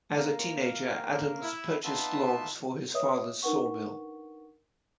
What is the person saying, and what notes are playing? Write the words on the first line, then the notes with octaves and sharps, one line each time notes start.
As a teenager Adams purchased logs for his father's sawmill.
A#3 A#4
E4
B3 D#4 F4 E5 A5
B4 C#5 D#5 E5 D#6
D4 D#4 A#4 B4 F#5 C#6